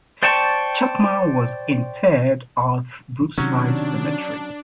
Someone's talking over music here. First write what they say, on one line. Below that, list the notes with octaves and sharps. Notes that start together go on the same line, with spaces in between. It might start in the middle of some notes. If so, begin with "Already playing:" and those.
Chapman was interred at Brookside Cemetery.
C5 D5 G5 A5 C#6
C3 D#3 F#3 C#4 D4